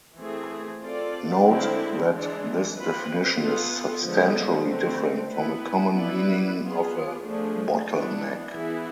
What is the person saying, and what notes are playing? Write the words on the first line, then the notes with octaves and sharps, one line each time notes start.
Note that this definition is substantially different from a common meaning of a "bottleneck".
E3 A3 C4 G#4
C4 F4 A4 D5
D3 G#3 C4 E4
E3 G#3 D4
C4 F4 B4
B3 F4 A4
D3 F3 G#3 B3
D3 A3 C4
B3 E4 B4
B3 E4 B4 D5
B3 F4 G#4
F3 A3 D4 G#4
E3 B3 D4
E3 B3 E4 G#4